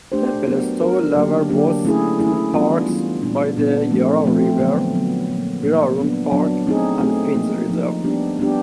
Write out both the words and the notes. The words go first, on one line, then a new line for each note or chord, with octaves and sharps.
Templestowe Lower boasts two parks by the Yarra River, Birrarung Park and Finns Reserve.
A3 D4 G4 C5
F#3 B3 D4 F#4 A#4
F#3 B3 D4 F#4 A#4
D3 F#3 A#3 D4 G4
D3 F#3 A#3 D4 G4
A3 C#4 E4 G#4
A3 C#4 E4 G#4
E3 G3 B3 D4 F4
E3 G3 B3 D4 F4
A#2 G3 B3 D4
A#2 G3 B3 D4
F3 A3 C4
F3 A3 C4
D3 F#3 B3
D3 F#3 B3
A#2 F3 A#3
A#2 F3 A#3
F#3 B3 D4
F#3 B3 D4
A3 C4 D#4 G#4
A3 C4 D#4 G#4
F3 A#3 D#4
F3 A#3 D#4
G3 B3 D4 G4
G3 B3 D4 G4